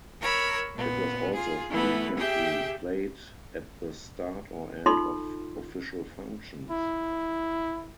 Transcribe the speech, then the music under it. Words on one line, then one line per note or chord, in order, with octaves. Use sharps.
It was also frequently played at the start or end of official functions.
A#4 C#5 B5 E6
A#2 B3
F4 G#4
E3 A3 B3 B4
G4 G#4 E5 G5
D#4 F4 A4 C6
E4